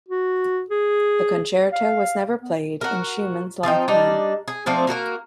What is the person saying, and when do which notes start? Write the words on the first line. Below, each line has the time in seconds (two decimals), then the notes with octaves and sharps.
The concerto was never played in Schumann's lifetime.
0.09 F#4
0.70 G#4
1.72 F5
2.42 B3
2.81 F#4 A#4
3.63 F3 C4 D#4 G5
3.88 G3 D4 D#4
4.48 G#4
4.66 F3 A3 C4 D4
4.87 A#3 F#4 A4 A#4